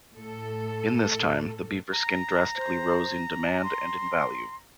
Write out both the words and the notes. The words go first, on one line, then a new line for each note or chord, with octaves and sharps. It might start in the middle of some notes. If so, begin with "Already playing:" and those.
In this time, the beaver skin drastically rose in demand and in value.
A2 A4
A#5
C5
C6